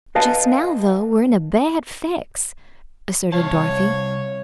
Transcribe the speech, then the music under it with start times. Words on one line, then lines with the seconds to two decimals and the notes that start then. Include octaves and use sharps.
"Just now, though, we're in a bad fix," asserted Dorothy.
0.15 B4 D#5 F5 G#5 A5
3.32 C2 C#5 F5 A5